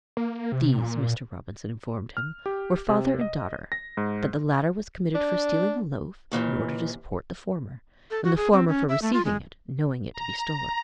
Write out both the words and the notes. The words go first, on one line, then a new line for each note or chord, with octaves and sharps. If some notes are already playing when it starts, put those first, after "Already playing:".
These, Mr. Robinson informed him, were father and daughter; that the latter was committed for stealing a loaf, in order to support the former, and the former for receiving it, knowing it to be stolen.
A#3
C3
A#2
F6
G4
C3
D#5
A#6
G#2
D4
D#2 A#2 D#3 E3
A4
F#4
G#4
C4
C#4
E5
A3
F4
G#3
A#5